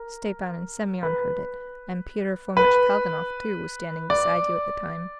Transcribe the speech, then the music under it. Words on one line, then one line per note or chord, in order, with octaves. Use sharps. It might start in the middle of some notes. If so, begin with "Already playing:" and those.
Stepan and Semyon heard it, and Pyotr Fomitch Kalganov, too, was standing beside you at the time.
Already playing: A#4
B4
B4
D5